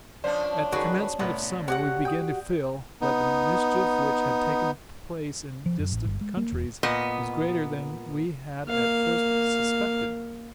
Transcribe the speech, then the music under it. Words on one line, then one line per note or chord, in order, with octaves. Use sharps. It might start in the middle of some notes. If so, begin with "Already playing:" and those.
At the commencement of summer, we began to feel, that the mischief which had taken place in distant countries was greater than we had at first suspected.
F3 C#4 D4 C5 D5
D#3 F#4 G#4 B4
C2 A2 B3 B4
F#4 G4 F#5
G5 D#6
B3 D#4
F3
F#2
A1
G1
G#3
A#3
E1
A#2 B3 D#5
A#3 F5